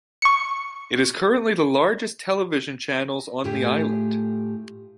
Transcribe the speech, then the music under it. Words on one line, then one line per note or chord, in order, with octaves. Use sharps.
It is currently the largest television channels on the island.
C#6 C#7
A2 A3 F4 G4 G#4